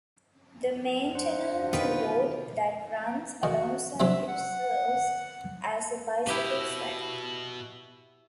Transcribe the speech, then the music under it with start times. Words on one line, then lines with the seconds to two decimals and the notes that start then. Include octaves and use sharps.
The maintenance road that runs alongside serves as a bicycle track.
1.15 D4 C5 F#5
1.73 B2 D#3 F4 G4 B4 D#5
3.43 D#3 F#4
4.00 F#3 C4 E4 E5
4.29 F#5
6.27 B2 E4 G4 B4